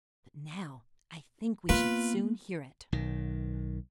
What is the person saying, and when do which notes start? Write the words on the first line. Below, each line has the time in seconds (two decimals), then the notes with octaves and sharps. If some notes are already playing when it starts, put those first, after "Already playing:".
"But now I think we shall soon hear it."
1.69 A#3 B3 F4 B4
2.92 B1 D#3